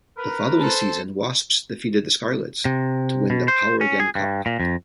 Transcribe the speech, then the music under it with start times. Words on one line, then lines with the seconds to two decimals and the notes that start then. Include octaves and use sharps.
The following season Wasps defeated the Scarlets to win the Powergen Cup.
0.17 A#4 B4
0.61 A4 C5
2.65 C3
3.30 B2
3.48 C5
3.81 C#4
4.00 G#4
4.15 G2
4.46 A#2
4.60 F2